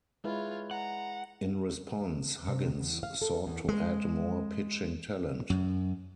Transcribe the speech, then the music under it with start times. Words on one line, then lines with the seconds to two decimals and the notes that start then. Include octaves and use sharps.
In response, Huggins sought to add more pitching talent.
0.24 G#3 E4 F4 B4 C#5
0.71 F#5 A#5
2.48 C3
2.80 E2
3.03 F5
3.22 A4
3.47 E2
3.69 G#3
5.50 F#2